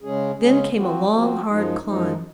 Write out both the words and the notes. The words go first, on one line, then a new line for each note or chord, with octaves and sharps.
Then came a long, hard climb.
C#3 G#3 C#4 G#4
C#3 G#3 C#4 G#4
F3 C4 F#4
F3 C4 F#4
F#2 F3 G#3 D#4
F#2 F3 G#3 D#4